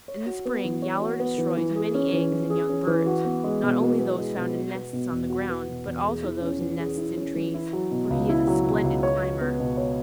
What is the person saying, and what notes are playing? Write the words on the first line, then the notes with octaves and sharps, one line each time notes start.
In the spring Yowler destroys many eggs and young birds, not only those found in nests on the ground, but also those in nests in trees, for he is a splendid climber.
C#5
F#4
B3
E3
C#5
F#4
B3
E3
E3
G#4
C#4
E3
E3
G#4
C#4
E3
F#4
B3
G#3
B2
F#4
B3
G#3
B2
F#4
B3
B2
E2
F#4
B3
B2
E2
G#4
E4
C#4
E3
G#4
E4
C#4
E3
E4
F#3
B2
C#2
E4
F#3
B2
C#2
C#5
F#4
B3
B2
C#5